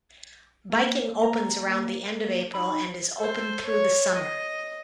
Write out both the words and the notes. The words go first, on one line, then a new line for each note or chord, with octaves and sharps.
Biking opens around the end of April and is open through the summer.
A#3
A#5
D#4 B5
A4 C5
C#5
D#5